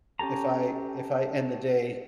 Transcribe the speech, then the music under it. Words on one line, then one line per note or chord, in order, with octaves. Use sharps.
if I if I end the day
C#4 G4 A4 A#5